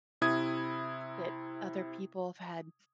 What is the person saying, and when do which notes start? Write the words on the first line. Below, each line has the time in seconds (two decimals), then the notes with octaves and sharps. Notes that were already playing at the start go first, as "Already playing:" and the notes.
that other people have had
0.22 C3 E4 D#6 G#6